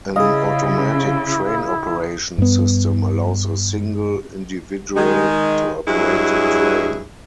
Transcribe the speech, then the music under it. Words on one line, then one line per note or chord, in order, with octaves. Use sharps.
An automatic train operation system allows a single individual to operate the train.
C#3 E4 G#4 D#5 F5
G2 B3
D#3 G#3
G2 F#3 G#3 E4 G#4